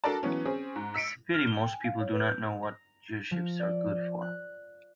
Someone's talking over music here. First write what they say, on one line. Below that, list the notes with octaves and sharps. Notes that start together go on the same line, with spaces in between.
It's a pity most people do not know what gearshifts are good for.
D4 F#4 A4 A#4 D5 A5
E3 F#3 B3 C#4
C4 C#4 G#4
G#2
E6 B6 C#7 D7
F6
G7
G5
G#5
F5
C#5
B4
G6
A#5
F3
D5
F#6